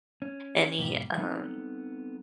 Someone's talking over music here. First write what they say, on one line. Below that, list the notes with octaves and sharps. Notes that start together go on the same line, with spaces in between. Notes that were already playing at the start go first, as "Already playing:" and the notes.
any, um,
C#4
F2 G#2 B2 G3 G4
G3 B3 C4 D#4 A4